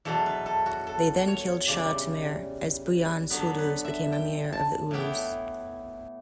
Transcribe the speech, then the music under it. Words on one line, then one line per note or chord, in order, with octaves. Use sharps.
They then killed Shah Temur, as Buyan Suldus became amir of the "ulus".
E2 B2 F#3 A4
B4
A4
F#4
A4
C#5
E2 C#3 G3 D5
D3 F#3 B3 B4
B4
E5
G5
A5
A2 E3 B3 E4 G5